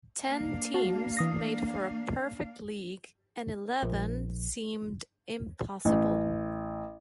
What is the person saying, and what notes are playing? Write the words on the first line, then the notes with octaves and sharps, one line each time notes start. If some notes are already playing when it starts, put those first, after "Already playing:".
Ten teams made for a perfect league and eleven seemed impossible.
A#3 D4 F5
F#4 A5
E3 D#6 A#6
A#1
A1